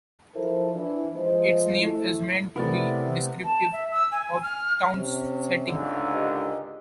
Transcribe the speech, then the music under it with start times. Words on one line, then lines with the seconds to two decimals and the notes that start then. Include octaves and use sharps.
Its name is meant to be descriptive of the town's setting.
0.35 F3 E4 A4 A#4 C5
0.73 E3 D4 E4
1.16 F3 G#3 F4 C5
1.79 A3 E4
2.56 C3 A3 B3 E4 A#4 D5
3.45 A5
3.73 E5
3.92 E6
4.12 G#5
4.43 F6
4.93 C3 C#4
5.67 C#2 G#2 D3
6.13 G4 A#4 D#5